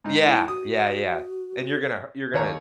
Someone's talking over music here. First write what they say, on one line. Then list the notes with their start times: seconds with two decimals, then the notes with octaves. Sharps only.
Yeah, yeah, yeah, and you're gonna you're gonna
0.04 G#2 D#4
0.25 E4
0.48 F#4 D#6
2.34 D#2 C#5 A#5